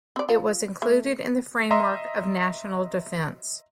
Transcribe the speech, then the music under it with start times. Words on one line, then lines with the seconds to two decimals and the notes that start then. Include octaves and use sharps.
It was included in the framework of National Defense.
0.16 C4 D5
0.29 F4
0.82 A3
1.71 D#5 E5 A#5 C6